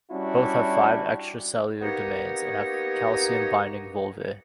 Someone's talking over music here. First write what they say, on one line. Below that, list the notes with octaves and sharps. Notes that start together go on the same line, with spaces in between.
Both have five extracellular domains, and have calcium-binding vulvae.
G3 C#4 D4 E4 F#4
A#3 B3 D#4 G4 C#5 D#5